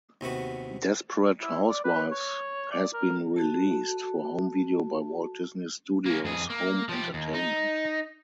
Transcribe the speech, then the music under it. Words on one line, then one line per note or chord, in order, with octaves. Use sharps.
"Desperate Housewives" has been released for home video by Walt Disney Studios Home Entertainment.
D#2 C3 B3 F#4
E4
D5
B4
C#5
D5
A#4
F#4 A4 A5
A#3 C#4
F2 G#4
A#3
F3 G4
D#2
D#4